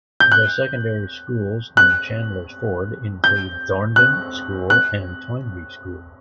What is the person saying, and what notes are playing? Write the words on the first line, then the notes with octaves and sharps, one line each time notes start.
The secondary schools in Chandler's Ford include Thornden School and Toynbee School.
G6
F#6
F#6
G6
F#6
F#6